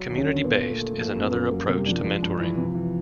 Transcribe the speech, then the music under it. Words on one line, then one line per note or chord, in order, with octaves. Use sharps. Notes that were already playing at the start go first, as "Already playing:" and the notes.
"Community Based" is another approach to mentoring.
Already playing: F#3
D#2
C#4
D3
A#2 B3
A3
A#3
A3
F3 A#3
F#2
B3
F#2
F#3 A#3
C3 F#3
G3
F3 D4
F3 G#3
G2
E3
C3
E3